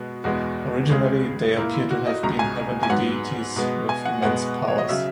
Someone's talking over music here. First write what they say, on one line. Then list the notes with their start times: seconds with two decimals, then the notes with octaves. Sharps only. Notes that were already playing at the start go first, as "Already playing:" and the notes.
Originally, they appear to have been heavenly deities with immense powers.
Already playing: B2 G#3 B3 F#4
0.24 E2 B2 G#3 B3 F#4
0.90 C#2 C#3 G#3 G#4
1.56 A#2 A#3 E4
1.74 E4
1.91 F#4
2.06 D#5
2.23 C#2 B2 G#3 A#5
2.39 G#5
2.83 G#5
2.89 G#2 F#3 B3 F#5
3.56 B2 G#3 B3
3.89 G#5
4.05 F#5
4.22 B2 G#3 B3 F#5
4.68 C#5
4.78 D#5
4.89 C#3 F#3 E5